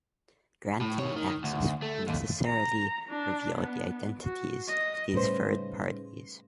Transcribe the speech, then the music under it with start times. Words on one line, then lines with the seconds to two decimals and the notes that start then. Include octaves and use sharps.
Granting access would necessarily reveal the identities of these third parties.
0.81 A2
0.99 D#3 C#5
1.16 D#3
1.44 D2
1.82 A3
2.08 D#2
2.46 A#5
3.09 D4
3.56 B3
4.23 F#4
4.68 D#5
5.13 A2 C#3 G3 D#4 B4 C5